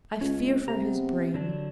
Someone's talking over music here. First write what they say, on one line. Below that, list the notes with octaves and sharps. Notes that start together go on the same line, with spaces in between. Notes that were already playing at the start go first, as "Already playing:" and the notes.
I fear for his brain.
C#2 C#4
C3 A#5
B3
D3 F#3 D4